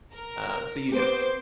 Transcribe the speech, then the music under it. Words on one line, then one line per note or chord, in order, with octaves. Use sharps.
Um, so you know.
A#4
B3 C4 G4 C5 D6 G6